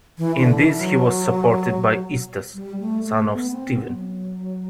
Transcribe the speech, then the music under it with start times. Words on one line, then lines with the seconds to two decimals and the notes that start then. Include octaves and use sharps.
In this he was supported by Eustace, son of Stephen.
0.18 E3
0.39 D3
0.58 E3
0.78 F#3
2.54 G3
2.80 A3
3.06 A3
3.33 B3
3.52 C4
3.72 B3
3.92 F#3